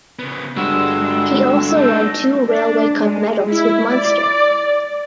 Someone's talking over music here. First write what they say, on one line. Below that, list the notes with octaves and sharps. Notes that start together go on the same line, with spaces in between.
He also won two Railway Cup medals with Munster.
C#3 B3
G2 D3 G3 G#3 F#4 E6
D4 D#4 A5
D4
G#3
E4
D5